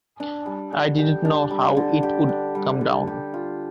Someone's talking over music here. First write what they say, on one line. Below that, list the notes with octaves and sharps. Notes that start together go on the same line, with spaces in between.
I didn't know how it would come down.
D4
G3
D3
G4
D4
G3
D3
G4
D4
G3
D3
G4
F4